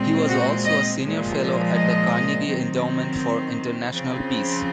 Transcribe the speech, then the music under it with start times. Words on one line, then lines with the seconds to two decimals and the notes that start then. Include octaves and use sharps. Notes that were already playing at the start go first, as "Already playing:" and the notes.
He was also a Senior Fellow at the Carnegie Endowment for International Peace.
Already playing: A#2 G#3 C4
0.29 F#4
0.65 D#5
1.00 A#2 F3 G#3
1.74 D#5
2.46 D#3 F#3 C4
3.91 C#3 F3 C4